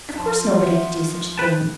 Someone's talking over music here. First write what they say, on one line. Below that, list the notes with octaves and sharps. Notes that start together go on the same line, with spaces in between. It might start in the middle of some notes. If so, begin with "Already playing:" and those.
Of course nobody could do such a thing.
F3 F4 A5
E5 F#5
B4 G5 A5